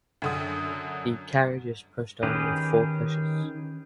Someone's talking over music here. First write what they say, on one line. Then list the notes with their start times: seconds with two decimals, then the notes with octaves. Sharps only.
The carriage is pushed on with four pushers.
0.22 F#2 D3 D#6
2.23 D#3 C#4 G4 G#4 B4